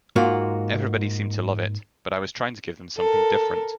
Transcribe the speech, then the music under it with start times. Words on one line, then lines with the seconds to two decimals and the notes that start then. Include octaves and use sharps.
Everybody seemed to love it, but I was trying to give them something different.
0.16 G#2 A#3 F4 F#4
2.98 A4 A#4